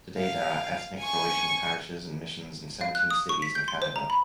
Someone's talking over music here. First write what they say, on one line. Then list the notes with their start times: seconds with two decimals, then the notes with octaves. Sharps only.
Today there are ethnic Croatian parishes and missions in seventeen cities in Canada.
0.18 F5
1.00 G#5 C#6
2.81 F5
2.95 F#6
3.10 D#6
3.29 C#6
3.42 B6
3.55 G6
3.68 C6
3.82 C5
3.96 A#5
4.10 B5